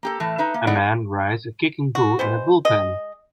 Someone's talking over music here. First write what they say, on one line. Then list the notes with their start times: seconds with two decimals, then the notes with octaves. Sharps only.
A man rides a kicking bull in a bullpen.
0.03 A#3 G4 A4
0.20 A2 E3 A5
0.38 D#4 B4 E5
0.54 A#3
0.67 A3 B3 E4 D5 D#5 F#5
1.95 F#4
2.19 B2 E3 B3 C5
2.65 G#3 D#5